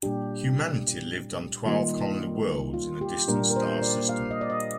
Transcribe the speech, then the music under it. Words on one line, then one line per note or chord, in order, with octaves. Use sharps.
Humanity lived on twelve colony worlds in a distant star system.
A#2 G3 D4 G4
D#3 G3 A#3 D#4 F4
F4
G4
A#2 G3 A#3 D4 A#4
A#4
C5
D5
F5
D#5
D5
D#5